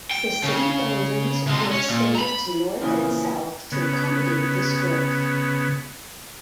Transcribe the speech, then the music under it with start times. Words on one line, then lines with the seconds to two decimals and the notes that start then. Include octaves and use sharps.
The city boundaries were extended to north and south to accommodate this growth.
0.11 G5
0.43 C#3
1.47 C3 G#3
1.71 C#4
1.88 A#2
2.15 A#5 B5
2.82 A#2 C#3 E3 F3
3.72 C#3 B3